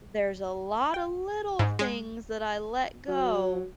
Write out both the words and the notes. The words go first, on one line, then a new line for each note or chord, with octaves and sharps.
there's a lot of little things that I let go.
G5
G#2
G#3
F#3